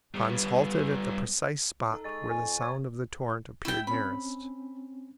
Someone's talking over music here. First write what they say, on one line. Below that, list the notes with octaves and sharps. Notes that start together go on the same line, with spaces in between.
Hans halted at the precise spot where the sound of the torrent appeared nearest.
G3 B3
D#4 A4
G#3 C#6 A6
F2 G#5
F#3 C#6 G#6
E4 G5
C4 C#4 B5